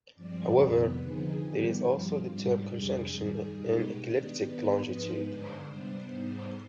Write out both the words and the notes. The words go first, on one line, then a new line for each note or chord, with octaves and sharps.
However, there is also the term conjunction in ecliptic longitude.
G2 F3 G#3 C4 D5
F2 C3 D#3 B3 B4
D3 F3 C4 D#4 G#4
D#3 G3 B3 G4
G2 F3 C4 F4
G#2 G3 D4 G4
F2 C3 G3 D4 G#4
G2 D#3 G3 G#4
B2 G#3 B3 D#4 G4
D#3 B3 D4 G4
D#3 B3 D4 B4
G#2 F3 G#3 B3 D#4 B4
G2 D3 G#3 D4 C5
C3 G3 B3 D4 C5
G#2 G3 B3 D#4